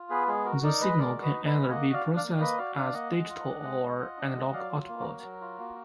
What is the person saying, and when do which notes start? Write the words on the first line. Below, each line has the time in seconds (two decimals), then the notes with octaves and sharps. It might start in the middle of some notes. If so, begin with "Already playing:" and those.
The signal can either be processed as digital or analog output.
Already playing: F4
0.10 B3 G#4 B4
0.28 G#3 G#4
0.45 F#4 A#4
0.63 D#4 A#4 D5
0.81 G#3 B4 D#5
0.98 G#3 A#4 D5
1.16 F#4
1.22 B4 D#5
1.34 D#4
1.46 B4 D#5
1.51 G#3
1.69 A#3 D#5 F#5
1.87 F#4
1.93 D5 F5
2.05 D4
2.16 D5 F5
2.23 A#3
2.40 A#3 B4 D#5
2.58 F#4 D5 F5
2.76 D4 D5 F5
2.93 A#3 D#5 F#5
3.11 G#3
3.29 F4
3.47 D4
3.64 G#3
3.82 G#3
4.00 F4
4.17 D4
4.35 G#3
4.53 F#3 D5 F5
4.70 F4
4.88 A#3
5.00 F#4 A#4
5.06 F#3
5.23 F#3
5.41 F4
5.59 A#3